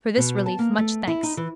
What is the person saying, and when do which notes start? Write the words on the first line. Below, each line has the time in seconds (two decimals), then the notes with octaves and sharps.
For this relief much thanks.
0.17 B2
0.46 A5
0.59 A#3
0.78 A3
1.07 E4
1.23 D#4
1.37 E3